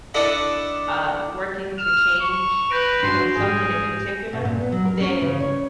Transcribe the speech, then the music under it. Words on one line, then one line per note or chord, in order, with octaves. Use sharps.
uh, working to change, you know, something in particular, then
D4 E4 A4 D5 D#5 F#5
F6 E7 F7
C#6
B4 G6 A#6 D7
D4 F#4 G#4 C6
G#2 G3 G#4
B2
A#2
B3
F#3
A#4
C#4
C#3
C#5